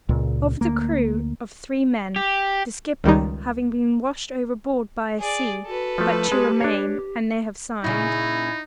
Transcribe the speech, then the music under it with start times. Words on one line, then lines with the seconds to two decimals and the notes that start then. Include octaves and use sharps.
"Of the crew of three men, the skipper having been washed overboard by a sea, but two remain, and they have signed."
0.09 C#2 A#2
0.61 D2 A#3
2.16 G4
3.04 C#2 D#3 G3 D#4
5.20 G#4 D5
5.67 F#4 A4 B4
5.98 F3 A3
6.32 G#3 G4
6.61 D4 C#5
7.84 A#2 C#3 D#4 E4